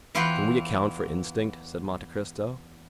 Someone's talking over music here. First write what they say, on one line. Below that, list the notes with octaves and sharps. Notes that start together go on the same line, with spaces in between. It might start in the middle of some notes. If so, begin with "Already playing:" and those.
"Can we account for instinct?" said Monte Cristo.
E2 E4 F4 F#5 G5 B5